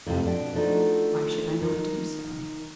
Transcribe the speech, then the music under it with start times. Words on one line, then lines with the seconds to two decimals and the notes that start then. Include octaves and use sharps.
"Why should I not do so?"
0.06 F2 A2 C3
0.25 B2 D4
0.54 F3 A3 D4 D#4 F#4
1.61 D#3